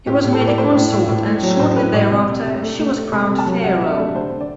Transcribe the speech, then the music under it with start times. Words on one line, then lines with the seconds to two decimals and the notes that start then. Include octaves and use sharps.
He was made a consort and, shortly thereafter, she was crowned pharaoh.
0.07 A2 G4
0.24 A2
0.33 A4
0.41 A2
0.47 D5
0.58 A3 C5
0.75 A2
0.92 A2
1.08 A2
1.26 A3
1.43 F#3
1.59 A2 C5
1.76 A2 B4
1.94 A2 D5
2.11 C3
2.28 C3
2.44 C3
2.62 A3
2.79 A3
2.96 A3
3.12 C3 B5
3.30 C3
3.39 A5
3.46 F#3
3.64 C3 F#5
3.81 C3 E5
3.97 A3 D5
4.15 D3 C5
4.32 D3
4.41 D5